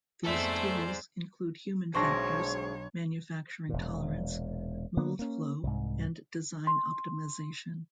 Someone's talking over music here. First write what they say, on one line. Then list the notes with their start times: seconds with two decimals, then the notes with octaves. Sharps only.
These tools include human factors, manufacturing tolerance, mould flow and design optimization.
0.24 F2 G#2 B3 A4 C5 D5 E5
1.95 B1 D3 G#3 D4 C5 C#5 C#6 A#6
3.69 E1 A#2
4.97 D3 A#3 B3 D4
5.19 A#3 C#4
5.63 C2 G#2
6.67 C6